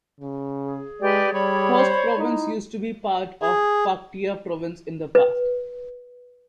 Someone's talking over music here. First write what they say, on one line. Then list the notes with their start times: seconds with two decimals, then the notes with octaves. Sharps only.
Khost province used to be part of Paktia province in the past.
0.21 C#3
0.64 G#4
1.01 G#3 G4 B4 D5
1.33 G3 C#5 D5 B5
1.79 C5
2.18 D#4 E4
3.42 G#4
5.15 B4